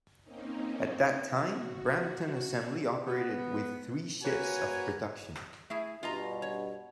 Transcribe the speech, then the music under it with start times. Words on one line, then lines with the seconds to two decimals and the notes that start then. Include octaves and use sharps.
At that time, Brampton Assembly operated with three shifts of production.
0.23 A#3 C4 C#4 D#4
1.23 F#4
3.06 B3
4.23 A#3 F#4 B4 C#5 G#5
5.70 A3 E4 G#4
6.03 G2 B2 F4 D#5 A#5
6.42 C#5